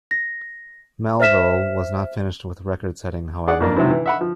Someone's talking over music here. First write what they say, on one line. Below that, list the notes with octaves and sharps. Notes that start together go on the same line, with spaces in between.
Melville was not finished with record-setting, however.
A#6
C5 E5 F6 B6 E7
G#4 D5 F#5
F2 A#3 D4
G#2 C3 F#3 C4 E4
E3
E5 F#5 B5
F3